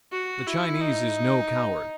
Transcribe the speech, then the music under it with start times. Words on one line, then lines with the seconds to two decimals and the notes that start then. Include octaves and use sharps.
The Chinese is no coward.
0.12 F#4
0.46 E4
0.81 D#4